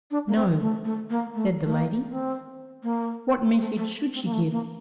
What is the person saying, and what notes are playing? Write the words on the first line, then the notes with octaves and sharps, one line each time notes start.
"No!" said the lady; "What message should she give?"
D4
A#3
C4
A3
A3
A#3
A3
A3
A#3
C4
A#3
A3
A3
C4
A#3
A3
A#3